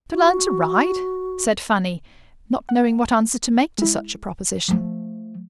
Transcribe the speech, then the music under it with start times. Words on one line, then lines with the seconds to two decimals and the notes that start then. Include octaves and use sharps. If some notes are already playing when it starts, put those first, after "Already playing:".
"To learn to ride!" said Fanny, not knowing what answer to make to such a proposition.
0.11 F#4
2.69 F#5
3.78 G#3 E4
4.68 F3 A3